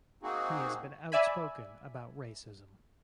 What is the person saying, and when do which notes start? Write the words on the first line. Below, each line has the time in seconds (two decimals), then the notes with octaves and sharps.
He has been outspoken about racism.
0.23 A#3 C4 D#4 F#4 G#4
1.12 D5 E5 G#5 B5